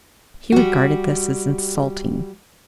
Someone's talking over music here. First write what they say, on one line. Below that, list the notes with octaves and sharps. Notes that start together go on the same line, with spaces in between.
He regarded this as insulting.
G3 F#4